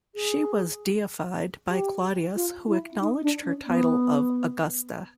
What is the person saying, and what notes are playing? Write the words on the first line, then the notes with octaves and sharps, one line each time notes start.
She was deified by Claudius who acknowledged her title of "Augusta".
G#4
G4
F4
E4
D#4
D4
C#4
B3